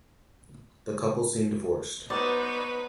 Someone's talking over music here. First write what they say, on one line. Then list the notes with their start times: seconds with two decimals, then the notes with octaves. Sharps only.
The couple soon divorced.
2.10 F#3 B3 D#4 B4 C5 D5